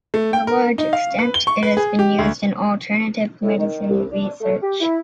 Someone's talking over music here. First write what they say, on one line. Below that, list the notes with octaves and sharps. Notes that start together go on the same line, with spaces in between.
To a large extent, It has been used in alternative medicine research.
A3
G5
A#4
D#4
F5
B4
G7
C#6
B4
G#4
G4
D2
A2
D#3
C2
D4
A3
G4
E4